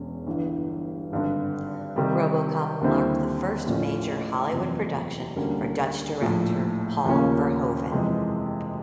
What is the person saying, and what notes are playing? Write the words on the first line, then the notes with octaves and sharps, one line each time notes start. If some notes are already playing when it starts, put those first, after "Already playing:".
"RoboCop" marked the first major Hollywood production for Dutch director Paul Verhoeven.
Already playing: E1 E2 C#4
G1 G2 E3
G#1 G2 D3
C3 D#3 G3
D#2 D3 G3 C4 E4
A1 A2 F3 A3 C#4
F#1 E2 C3 F3
D2 D3 G3 A#3 C#4
A#1 A2 F3
D#2 C#3 F3 A#3 C#4
F2 C3 E3 G#3